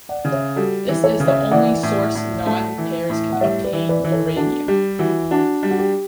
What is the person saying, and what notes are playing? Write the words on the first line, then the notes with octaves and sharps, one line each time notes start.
This is the only source non-payers can obtain uranium.
D5 F#5
C#3
C#5 E5
G3 F#4 A4
E3
A4 C#5
C#3
C#5 E5
E3 D5 F#5
A2
A2
A3
E3
A2
F#5
G3 C#5 E5
B4 D5
E3
B4 D5
E3 B4
A4 C#5
D4 F#4 A4
G3 G4
E3 F#4
D4 F#4
G3
F#4
G4